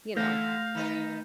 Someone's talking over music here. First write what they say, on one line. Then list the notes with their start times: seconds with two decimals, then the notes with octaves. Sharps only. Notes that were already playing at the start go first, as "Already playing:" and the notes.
you know.
0.17 D3 E3 A3 F5 G6 A#6
0.75 D#3 D#4 B4